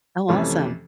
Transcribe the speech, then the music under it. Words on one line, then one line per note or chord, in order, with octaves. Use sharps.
Oh, awesome.
F2 C3 E3 A3 C#4